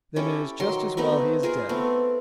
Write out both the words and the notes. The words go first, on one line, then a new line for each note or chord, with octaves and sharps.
"Then it is just as well he is dead."
C#4 E4 G4 A4
D#3 F#3 C6
A3 B3 C4 D#4
F4 G#4 A#4
A3 B3 C4